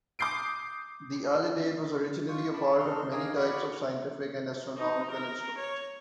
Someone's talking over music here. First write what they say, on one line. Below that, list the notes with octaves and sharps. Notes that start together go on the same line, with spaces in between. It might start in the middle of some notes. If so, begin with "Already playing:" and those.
The alidade was originally a part of many types of scientific and astronomical instrument.
D6 D#6 G6 C7 D7
F4 C#6
A5 B5 D6
C4 D4 D#4 A4 C6 F6
G#4 A#4 D#5 F5 D6
F#4 D5 B5 C#6
D#4
A#4
C#5